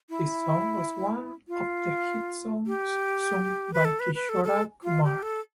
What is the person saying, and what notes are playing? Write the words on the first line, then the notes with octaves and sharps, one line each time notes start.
This song was one of the hit songs sung by Kishore Kumar.
E4
F4
G4
B4
A4
B4
B4
A4
A4
F4
G4
A4